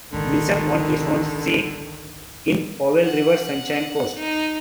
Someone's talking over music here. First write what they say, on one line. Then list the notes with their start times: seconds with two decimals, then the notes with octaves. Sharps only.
Wilson won his own seat in Powell River-Sunshine Coast.
0.13 G#1 C#2 A#2 D3 D#3
3.03 F#5
4.16 D#4